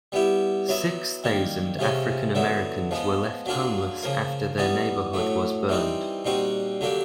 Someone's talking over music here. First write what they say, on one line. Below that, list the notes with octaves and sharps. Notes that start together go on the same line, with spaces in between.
Six thousand African-Americans were left homeless after their neighborhood was burned.
G3 B3 E4 G4
F#3 B3 E4
D#3 G3 A#3
C3 F3 G#3 C#4
D3 F#3 B3 E4
F3 G#3 B3
F#3 A#3 D4 F4 G#4
C#3 F3 A#3
E3 G3 B3 D#4
A2 F#3 A3
E3 G3 C4 D#4
A#2 G3 C4 D#4 F#4
D3 F#3 A#3 D4 G4